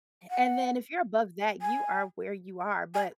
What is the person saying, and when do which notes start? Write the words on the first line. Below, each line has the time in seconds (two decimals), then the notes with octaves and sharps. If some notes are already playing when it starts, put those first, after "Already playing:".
and then if you're above that, you are where you are, but
0.30 F#5
1.62 G#5
2.94 G#5